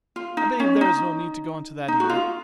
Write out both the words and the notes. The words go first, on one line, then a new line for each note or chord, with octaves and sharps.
I believe there is no need to go into that either.
F4
D#4
C#4
D#4
D#4
F#4
F4